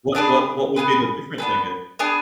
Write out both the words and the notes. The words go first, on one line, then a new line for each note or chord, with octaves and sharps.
What what what would be the difference, I gue
B3 D4 G#4 B4
B3 D4 G#4 B4
B3 D4 G#4 B4
B3 D4 G#4 B4